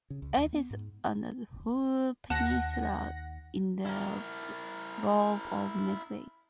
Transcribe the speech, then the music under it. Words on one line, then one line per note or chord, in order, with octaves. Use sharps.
It is on the Hoo Peninsula in the borough of Medway.
C#3
C#2
D#2
B3
G#2
D#2 F#5 A5 F#6 A#6
E4 A#4